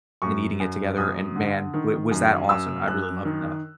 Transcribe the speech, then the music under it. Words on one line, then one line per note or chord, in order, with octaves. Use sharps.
and eating it together, and, man, w was that awesome. I really loved that.
F#2 C#6
F#2
F#2 D#6
D3
D#3
F#2
F#2 E6
F#2 F#6
D#3